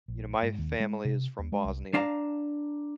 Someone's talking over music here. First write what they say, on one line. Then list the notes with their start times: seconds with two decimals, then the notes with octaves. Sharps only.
You know, my family is from Bosnia,
0.08 A#1
0.43 G#2
0.58 D#2
0.80 G#3
1.05 C3
1.39 D#2
1.52 G#3
1.65 C2
1.94 D4 F5 A5 A#5